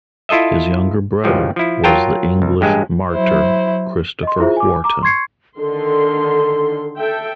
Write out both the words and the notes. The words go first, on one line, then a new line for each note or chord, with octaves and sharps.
His younger brother was the English martyr Christopher Wharton.
E4 F4 A4 D#5 E5
G#1 C#2 E3 F3 G3
F3 E4
F#3 F4 A#4 G5 A5
C2
A1 G2 G#3
F#3 E4 C5
D#5 C6
E4 F4 G#4 C5 E5
G#5 D6
A#5 D6
C6 C#6 G#6 C7 C#7
D3 D#3 A4 C6
A4 E5 G5